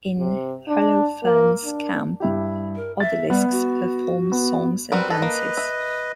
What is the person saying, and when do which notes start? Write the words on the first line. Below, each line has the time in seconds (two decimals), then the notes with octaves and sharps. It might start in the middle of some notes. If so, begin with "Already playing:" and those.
In Holofernes' camp, odalisques perform songs and dances.
0.19 C3
0.68 D4
1.24 A#3
1.64 D4
2.20 G2 E4 G4
2.76 A#4
3.00 E5 A6
3.30 G3 B3
3.51 F#4
4.32 B3
4.92 G3 C4 F#4 A#4 B4
5.10 A4 B4 D#5
5.22 A#3
5.57 E5